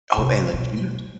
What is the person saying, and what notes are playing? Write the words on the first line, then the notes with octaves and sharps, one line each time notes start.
Oh, and the cheese.
C3
B2